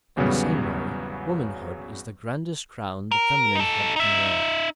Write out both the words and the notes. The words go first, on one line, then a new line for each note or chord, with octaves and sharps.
In the same way womanhood is the grandest crown the feminine head can wear.
G#1 E2 C#3 F#3 G3 B3
A#4
D#4 A4
D#4 E5